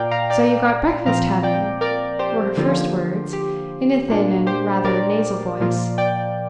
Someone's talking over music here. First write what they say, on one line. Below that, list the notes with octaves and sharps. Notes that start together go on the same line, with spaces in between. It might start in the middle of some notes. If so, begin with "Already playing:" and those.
'So you've got breakfast, have you?' were her first words, in a thin and rather nasal voice.
Already playing: A#2 A#3 F4 D5 F5 G5 A#5
F5 A#5
D5 G5
A#2 F3 C4 F4 F5 A#5
D5 G5
A#4 D5
G4 C5
D3 F3 A#3 F4
G4
A#2 A#3 D4 F4
G4 C5
A#4 D5
A#2 F3 A#3 F4
D5 G5